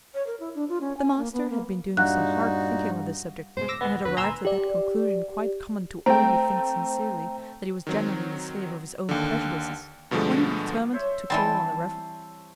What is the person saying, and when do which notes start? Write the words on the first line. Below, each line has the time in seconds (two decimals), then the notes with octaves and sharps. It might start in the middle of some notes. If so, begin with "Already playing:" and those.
The master had been doing some hard thinking on this subject, and had arrived at that conclusion quite common to all who think sincerely, that he was generally the slave of his own prejudices, when he determined to call on the Rev.
0.14 C#5
0.26 A#4
0.40 E4
0.55 D4
0.69 F4
0.81 C#4
0.97 G#5
1.17 A#3
1.33 B3
1.50 A#3
1.97 G2 A#2 D#4 F#4 F5 F#5 F#6
3.57 G2 B2 G#3 C5
3.68 D1 D6 E6 A#6
3.81 B3
4.05 E2 D3 B4
4.17 D2 A#2 G#5 A#5 C6 E6
4.45 G4 D5
6.06 A3 C4 G5 A#5
7.87 D#3 F#3 C4
9.09 D#2 D3
10.11 G2 B2 D3 F3 G#3 A3
10.93 C5 C#5 E5
11.30 E3 G3 C4 A5